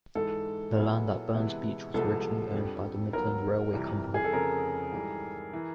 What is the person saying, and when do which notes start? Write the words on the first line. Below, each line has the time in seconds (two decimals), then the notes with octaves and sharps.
The land at Burns Beach was originally owned by the Midland Railway Company.
0.15 G#2 E3 G#3 A4
0.75 A#2 F#3 B3 E4 G#4
1.34 C3 E3 G#3 B3 E4
1.94 C2 C3 F3 G#3 B3 A4
2.53 F2 D3 G3
3.13 D#2 D#3 F#3 B3 A#4
3.73 F2 C3 E3 G3
4.14 G#4
4.24 A4
4.33 F1 F2 C#3 A#4
4.92 G#2 E3 G3
5.53 E3